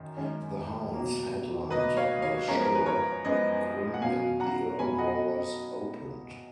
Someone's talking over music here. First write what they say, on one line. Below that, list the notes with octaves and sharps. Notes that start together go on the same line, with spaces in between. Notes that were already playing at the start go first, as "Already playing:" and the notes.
The Hounds headlined the show; Quin and the Earl Brothers opened.
Already playing: F#2 D#3 C#4
F#2 D#3 G#3 C#4
B2 F#3 A#3
B2 F#3 A#3 B4 D#5
C#5 F5
C#5 F5
F#2 F3 G#3 B3 A#4 C#5
A#4
B4
A#4 C#5
F#2 F3 G#3 B3 B4 D#5
F#5
B2 F#3 C#4 F5 G#5
F#5 A#5
B2 F#3 C#4 G#5 B5
D#5 F#5